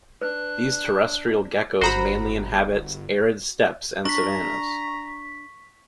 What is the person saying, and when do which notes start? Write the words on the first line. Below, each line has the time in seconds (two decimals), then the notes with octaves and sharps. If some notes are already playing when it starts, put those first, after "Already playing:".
These terrestrial geckos mainly inhabit arid steppes and savannas.
0.21 D4 B4 F#6
1.81 G1 F#4 C5 A#5 B5
4.05 D4 A#5 C#6 B6